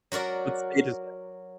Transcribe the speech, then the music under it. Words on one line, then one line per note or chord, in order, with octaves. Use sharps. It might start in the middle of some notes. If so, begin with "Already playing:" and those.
what state is that?
F#3 F#4 A#4 D5